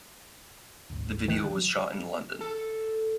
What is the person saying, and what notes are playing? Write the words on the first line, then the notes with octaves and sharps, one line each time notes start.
The video was shot in London.
G#1 D2
D#3 F#6
F#3
A4